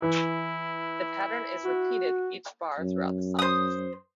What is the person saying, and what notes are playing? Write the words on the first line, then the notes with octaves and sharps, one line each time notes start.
The pattern is repeated each bar throughout the song.
E3 E4
F#4
F#2
C5 D#6